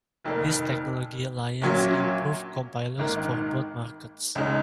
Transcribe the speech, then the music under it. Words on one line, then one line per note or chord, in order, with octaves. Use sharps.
This technology alliance improved compilers for both markets.
F1 F2 D#3 A#3
A#1 A#2 F#3 C#4
G#1 G#2 D#3 A#3
C#2 C#3 G#3 D#4